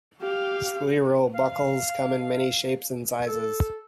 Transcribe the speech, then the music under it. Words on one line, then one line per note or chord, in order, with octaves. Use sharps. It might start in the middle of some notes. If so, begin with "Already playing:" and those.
Scleral buckles come in many shapes and sizes.
G4 F5
F5
A4